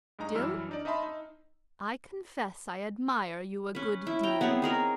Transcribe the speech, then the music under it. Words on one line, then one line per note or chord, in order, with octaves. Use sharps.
Still, I confess, I admire you a good deal.
G2 G#3 D#4 A#5
F#2 E3 G3 E4 E6 F6
D4 D#4 D5
D#4 D#5 E5 A5 B5 C6
D#4
C#4 B4
E4
G5 A#5
B3 C4 G#4 C#5
D#4 G#4 A#4